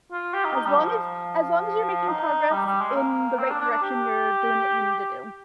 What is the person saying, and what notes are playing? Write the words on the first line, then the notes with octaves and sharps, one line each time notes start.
As long as as long as you're making progress in the right direction, you're doing what you need to do.
F4
G4
D#4
D#4
G3
F3
D#4
G3
G3
G#3
A#3
C4
D4
D4
D4
G4